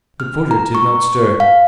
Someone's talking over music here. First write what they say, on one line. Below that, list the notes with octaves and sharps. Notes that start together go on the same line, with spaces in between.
The porter did not stir.
F6
A#5
C#6
F5